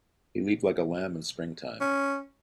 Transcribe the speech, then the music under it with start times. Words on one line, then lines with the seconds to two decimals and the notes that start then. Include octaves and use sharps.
He leaped like a lamb in springtime.
1.81 C#4